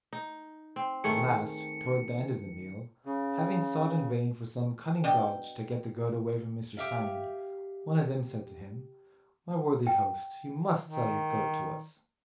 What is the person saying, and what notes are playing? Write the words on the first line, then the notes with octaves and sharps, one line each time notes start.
At last, towards the end of the meal, having sought in vain for some cunning dodge to get the goat away from Mr. Simon, one of them said to him, 'My worthy host, you must sell your goat to us.'
D#4
C4
D#3 A3 G#4 C#7
C#3
B2 D4 D#5 G5
G4 E5 F5
G5
D#3